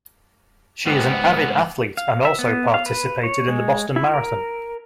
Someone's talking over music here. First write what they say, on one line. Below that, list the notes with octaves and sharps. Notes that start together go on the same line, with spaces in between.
She is an avid athlete and also participated in the Boston Marathon.
D2 G#2 B3 F#5 G5 A#5
F5
E5
B3
F5
B4
C#5
G#3
E4
A#4